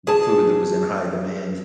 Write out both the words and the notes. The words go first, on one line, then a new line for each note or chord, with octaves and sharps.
the food that was in high demand.
G#4 A5